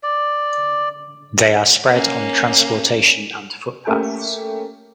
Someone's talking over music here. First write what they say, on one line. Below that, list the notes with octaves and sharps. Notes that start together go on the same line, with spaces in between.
They are spread on transportation and footpaths.
D5
A#3 C#4
A3 A#3 C#4 G4